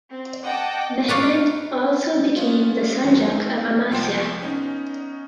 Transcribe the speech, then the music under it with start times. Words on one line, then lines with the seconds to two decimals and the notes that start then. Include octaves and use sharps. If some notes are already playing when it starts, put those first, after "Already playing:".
Mehmed also became the sanjak of Amasya.
0.11 C4
0.44 D#5 F#5 G5 A5 D6
1.08 B4 C#5 D5 F5
2.36 B3 C#4 F4
3.04 E2 D#3 F#3
3.27 C4 D#4
3.91 C2 F3 G5 C6 E7
4.40 B3 C#4 D#4